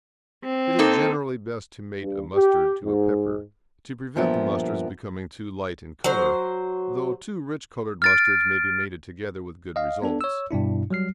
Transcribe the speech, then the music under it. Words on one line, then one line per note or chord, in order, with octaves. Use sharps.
It is generally best to mate a mustard to a pepper, to prevent the mustards becoming too light in colour, though two rich-coloured mustards may be mated together with good results.
C4
A#3 D#4 A4
G2
G4
G#2
G2 A#2 F3 B3 A#4 E5
F#3 C5
F6 A6 D7
D#5 F5
B3 D4 A4
C#5 E6
G2 B2 D4 E4
F#3 G3 F6 C7